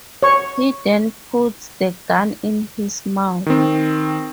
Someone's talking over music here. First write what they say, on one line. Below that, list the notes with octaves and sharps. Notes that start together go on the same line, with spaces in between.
He then puts the gun in his mouth.
C#5 C#6
D#3 C4